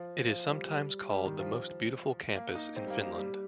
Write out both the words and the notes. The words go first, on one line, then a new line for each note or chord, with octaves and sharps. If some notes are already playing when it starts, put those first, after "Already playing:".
It is sometimes called the most beautiful campus in Finland.
Already playing: F3
F3
G3
G3
G3
D#3
F3
A#3
D#4
C4
G3
A#3
A#3
G3